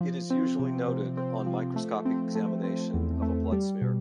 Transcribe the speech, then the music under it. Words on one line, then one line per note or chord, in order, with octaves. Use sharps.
It is usually noted on microscopic examination of a blood smear.
F3
C4
C3
C3
C4
F3
A3
C4
A3
C4
E2
A3
G3
B2